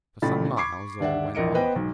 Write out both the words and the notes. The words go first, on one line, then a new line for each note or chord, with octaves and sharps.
For some miles all went well.
A1 A#2 C#3 A3 B5 A6
B5 C#6 D6 G#6 C7
D#2 D3 D5 E5 F#5
A#1 E2 A#4 D#5 C#7 D7
B3 B4 C5 D#5 G5
B1 G#2